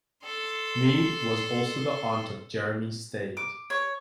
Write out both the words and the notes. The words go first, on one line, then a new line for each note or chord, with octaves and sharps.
Mead was also the aunt of Jeremy Steig.
A4 C6
D6
C#5